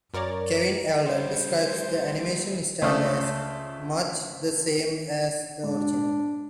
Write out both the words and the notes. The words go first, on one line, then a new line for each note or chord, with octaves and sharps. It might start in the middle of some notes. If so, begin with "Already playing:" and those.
Kevin Eldon describes the animation style as 'much the same as the original'.
F#2 A#4 C#5 D5 A6
G3 A3 C5
C#2 A3 C5 D5 F5 D#6
G#2 D4